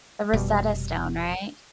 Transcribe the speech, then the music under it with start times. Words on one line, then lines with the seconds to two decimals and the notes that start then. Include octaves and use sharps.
the Rosetta Stone, right?
0.33 F1 B2 G3